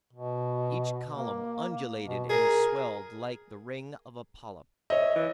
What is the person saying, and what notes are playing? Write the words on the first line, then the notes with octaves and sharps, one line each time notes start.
Each column undulated and swelled like the ring of a polyp.
B2
A#3
B2
G#4 A#4
C#5 D#5 E5
E3